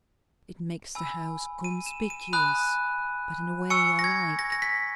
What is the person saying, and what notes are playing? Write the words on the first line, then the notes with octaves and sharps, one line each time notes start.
It makes the house conspicuous, but in a way I like.
G#5 B5 E6
D#7
E7
D#7
G#5 B5 D#6 F#6
G#5 C#6 E6 C#7
A#6
G#6
A#6
A#6
B6